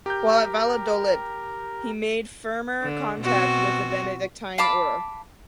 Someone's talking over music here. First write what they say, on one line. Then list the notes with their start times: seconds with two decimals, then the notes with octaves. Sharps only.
While at Valladolid he make firmer contact with the Benedictine Order.
0.06 G4 A#4 G6
2.83 D3
3.22 B2 C4 F#4
4.58 F5 A5 B5 D6